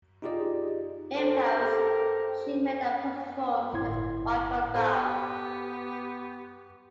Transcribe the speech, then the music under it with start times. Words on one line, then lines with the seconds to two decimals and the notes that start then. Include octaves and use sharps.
In Paris, she met and performed with Michael Balfe.
0.22 D#4 F4 G4 G#4 D5 D#5
1.17 G4 A4 A#4 C5
3.73 G1 A2 E4 C6 G#6
4.75 B3 G4 A4 C5